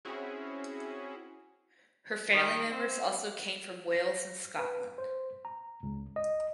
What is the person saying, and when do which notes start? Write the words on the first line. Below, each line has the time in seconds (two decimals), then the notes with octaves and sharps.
Her family members also came from Wales and Scotland.
0.05 C4 C#4 E4 F#4 G#4
2.32 D#3
2.71 C4
3.93 A#6
4.59 B4
4.98 C5
5.45 A#5
5.83 C#2
6.16 D#5